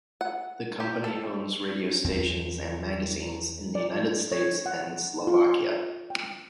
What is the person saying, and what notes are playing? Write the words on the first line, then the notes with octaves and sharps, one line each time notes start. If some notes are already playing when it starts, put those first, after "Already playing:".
The company owns radio stations and magazines in the United States and Slovakia.
F#5
G4
A4
E2 C4
D5
C#5
F#5
F4
G5